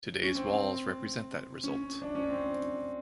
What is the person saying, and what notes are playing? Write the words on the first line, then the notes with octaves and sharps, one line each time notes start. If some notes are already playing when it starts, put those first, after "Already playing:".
Today’s walls represent that result.
C#4
C4
C#4
D4
C#4
C4